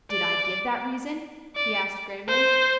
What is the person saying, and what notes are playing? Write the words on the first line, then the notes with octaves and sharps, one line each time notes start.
"Did I give that reason?" he asked gravely.
D5
D5
C5